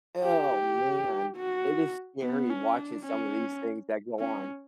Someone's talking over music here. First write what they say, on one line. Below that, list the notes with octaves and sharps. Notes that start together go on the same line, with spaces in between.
Oh, man! It is scary watching some of these things that go on.
G4
F#4
B3
C#4
D4
C#4
C#4